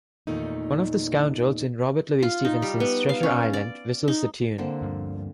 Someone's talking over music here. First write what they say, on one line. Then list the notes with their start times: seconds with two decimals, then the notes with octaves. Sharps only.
One of the scoundrels in Robert Louis Stevenson's "Treasure Island" whistles the tune.
0.27 E2 A#2 D#3 A3 D#4
2.22 F4
2.45 D#4
2.62 G3
2.80 B3
3.09 F5
3.23 C#4
3.53 D5
4.08 D#4
4.58 D3 A#3 C4
4.81 D2 G2 F3